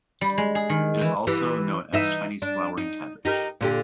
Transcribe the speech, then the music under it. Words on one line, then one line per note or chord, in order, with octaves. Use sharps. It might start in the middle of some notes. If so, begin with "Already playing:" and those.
It is also known as Chinese Flowering Cabbage.
G3
G#3
G#4
D#3
E3
E3 G4
E3 D#4 E5
D4
D#4
D#4 G4 A#4
A#2 D3 G4